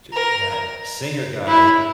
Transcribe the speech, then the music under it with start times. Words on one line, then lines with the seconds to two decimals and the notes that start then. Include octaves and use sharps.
t that singer guy,
0.13 A#4
1.48 E4